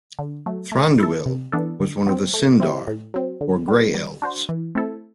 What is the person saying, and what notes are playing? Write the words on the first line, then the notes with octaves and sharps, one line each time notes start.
Thranduil was one of the Sindar, or Grey Elves.
D3
F#3 A3
A3
E4 A4
C3
E3 B3 D4 A4
D3
F#3 C4
A3
C4 E4 G4
A2
F#3 C4
D3
G3 B3
G3
D4 F#4 C5
E3
A3 C4 E4 A4